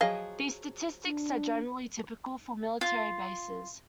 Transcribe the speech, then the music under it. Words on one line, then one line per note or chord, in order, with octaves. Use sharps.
These statistics are generally typical for military bases.
F3 F#3 G#4 D#5 F5
D4
F4